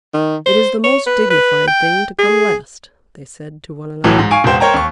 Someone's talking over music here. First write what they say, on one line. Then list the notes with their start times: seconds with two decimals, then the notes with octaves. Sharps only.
"It is the most dignified thing to come last!" they said to one another.
0.14 D#3
0.46 C5
0.84 C#5
1.06 B4
1.30 B4
1.67 G5
2.19 G#4
4.04 B1 A2 E3 F#3
4.19 G#2
4.31 F5 G#5 C#6 D7
4.44 E1 F#4 C5 G5
4.60 A#4 C5 C#5 G5 A#5
4.74 D#2 C#6